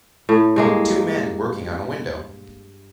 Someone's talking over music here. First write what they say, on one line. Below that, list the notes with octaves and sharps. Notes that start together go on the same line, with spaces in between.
Two men working on a window.
A2
G2 G#3 A#3